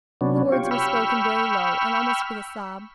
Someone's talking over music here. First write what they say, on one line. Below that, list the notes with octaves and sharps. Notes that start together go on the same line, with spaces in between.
The words were spoken very low, and almost with a sob.
C3 F#3 B3 C#4 D4
F4 G4 C#5
G5 B5 C#6 E6 F6